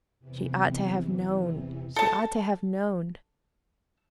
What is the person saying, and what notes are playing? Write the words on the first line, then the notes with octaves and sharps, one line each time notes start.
She ought to have known! she ought to have known!
E2 C3 E3
A4 A5